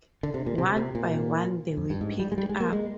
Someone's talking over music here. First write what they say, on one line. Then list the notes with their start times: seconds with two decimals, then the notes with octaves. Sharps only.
One by one they were picked up.
0.23 D3
0.34 C3
0.46 A#2
0.58 C3
0.76 C3
0.95 A#2
1.77 F2
1.90 G2
2.01 G#2
2.19 G3
2.32 G#3
2.38 G3
2.49 G#3
2.60 A#3
2.73 G#3